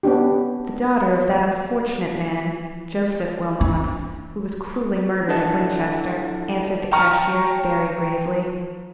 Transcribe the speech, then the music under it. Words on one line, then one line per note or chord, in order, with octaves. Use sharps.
"The daughter of that unfortunate man, Joseph Wilmot, who was cruelly murdered at Winchester!" answered the cashier, very gravely.
B3 C#4 D4 G4
D4
D4 E4 A4 D#5 F#5 A5
G5 A5 A#5 C#6 F6